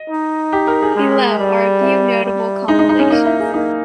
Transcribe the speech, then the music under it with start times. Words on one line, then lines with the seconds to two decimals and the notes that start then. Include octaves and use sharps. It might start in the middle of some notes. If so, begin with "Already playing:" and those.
Below are a few notable compilations.
Already playing: D#5
0.10 D#4
0.52 G4
0.67 A#4
0.82 G#4
0.96 G#3
1.39 G3
1.81 E4
2.24 G3
2.67 G#3 D#4
2.79 D#4
2.89 D#4
2.99 C#4
3.10 A#3 D#4
3.25 E4
3.39 G#4
3.53 A#3 D#4